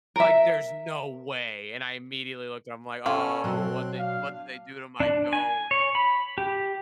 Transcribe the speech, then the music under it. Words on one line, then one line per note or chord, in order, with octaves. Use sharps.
Like, there's no way, and I immediately looked at him, I'm like, "Oh, what'd they what did they do to my goat?"
A#4 E5
C#4 F4 A4 C#5 A5 F6
B2 F#3 C4 C6 F#6
D4 F5
D4
G#5
C#5
B5
G4